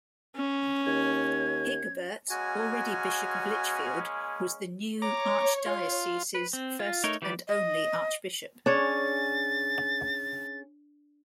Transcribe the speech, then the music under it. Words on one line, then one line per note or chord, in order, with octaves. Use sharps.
Hygeberht, already Bishop of Lichfield, was the new archdiocese's first and only archbishop.
C#4
D#2 G#6
G#3 A#3 C#4 F#4 G#5
C#5 A#5 D6
F4
B4
C4
F4
A3 D#4 A#4 C#5
E3 G4 B4 D5
D#5
C#4 D4 G#4 C#5 A6